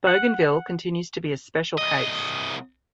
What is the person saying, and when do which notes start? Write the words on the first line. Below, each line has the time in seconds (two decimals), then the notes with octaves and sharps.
Bougainville continues to be a special case.
0.07 F#5
1.78 C2 D#5